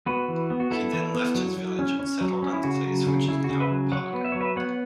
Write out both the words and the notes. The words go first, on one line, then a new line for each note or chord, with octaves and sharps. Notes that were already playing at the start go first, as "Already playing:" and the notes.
He then left his village and settled in the place which is now Paga.
B3 F#4 B4
E3
B3
F#4
B3 E4 A4
E3
B3
F#3
F#3
C#4
C#4
F#3
C#4
E4
C#3 F#4
F#3
C#3
C#3 E4
F#4
C#3
B4 E5
F#3
F#3 C#5 F#5
B3
E5
F#3 C#5
B4 E5
B3 C#5 F#5